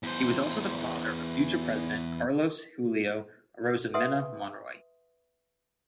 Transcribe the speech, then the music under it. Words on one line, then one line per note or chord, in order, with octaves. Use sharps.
He was also the father of future president Carlos Julio Arosemena Monroy.
E2 C5
B4 E5 F#5 C6 D#6